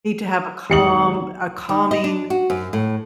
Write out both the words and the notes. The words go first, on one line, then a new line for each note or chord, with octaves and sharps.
You need to have a calm a calming
G#1 G4 G5 D#6 C#7 F#7
D#3
D#5
D4
F#4
F#2
A2